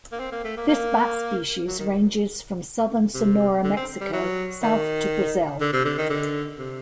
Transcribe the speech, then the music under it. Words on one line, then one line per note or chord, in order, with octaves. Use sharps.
This bat species ranges from southern Sonora, Mexico south to Brazil.
A#3
C4
A#3
A3
A#3
A#3
F#3
D#3
C3
D3
C4
G3
F#3
D#3
D3
C3
D3
D#3
D3
C3